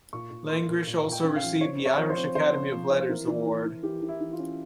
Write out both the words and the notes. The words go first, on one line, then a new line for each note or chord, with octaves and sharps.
Langrishe also received the Irish Academy of Letters Award.
A#2 C#6
A#2
A#3 C6
A#2
A#2
A#2
G5
C#4
F5
F3
C4 C#5
C4
C#5
F3
C5
C4
C4 C5
C4
F3
C4
E3 A#4
E3
E3
E3
E3 G4
E3
E4
E3
F4
C#4